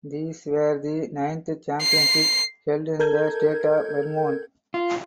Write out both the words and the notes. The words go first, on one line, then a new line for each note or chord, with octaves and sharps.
These were the ninth championships held in the state of Vermont.
C7
A4 A#4 G6 G#6
F4